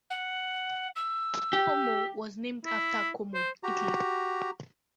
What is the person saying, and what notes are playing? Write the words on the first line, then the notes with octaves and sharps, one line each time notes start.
Como was named after Como, Italy.
F#5
E6
G4
E4
C5
F#4 G4 A#5